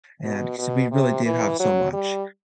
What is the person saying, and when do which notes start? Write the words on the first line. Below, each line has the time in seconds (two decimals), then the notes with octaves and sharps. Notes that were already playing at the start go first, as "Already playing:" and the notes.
and 'cause we really do have so much,
0.24 B2
0.58 B2
0.92 C3
1.25 E3
1.60 F#3
1.93 G3